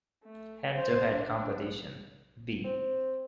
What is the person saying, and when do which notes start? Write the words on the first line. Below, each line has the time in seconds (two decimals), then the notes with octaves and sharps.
Head-to-head competition; B.
0.23 A3
0.74 C5
1.11 D4
2.64 C4